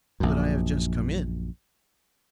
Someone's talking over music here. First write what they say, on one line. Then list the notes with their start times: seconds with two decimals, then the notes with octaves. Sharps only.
But I have just come in.
0.20 A#1 F#2